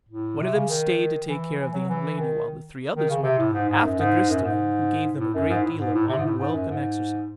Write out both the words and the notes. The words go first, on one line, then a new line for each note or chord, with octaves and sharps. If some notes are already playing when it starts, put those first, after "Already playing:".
One of them stayed to take care of the young lady, while the three others went after Gris-de-line, who gave them a great deal of unwelcome exercise.
A2
C3
C#3
D#3
E3
E3
F#3
E3
D#3
D#3
C#3
C3
A2
G#2
G#2
F#2
G#2
F#2
G#2
A2
F#2
G#2
A2
G#2
A2
C3
G#2
A2
G#2
F#2
G#2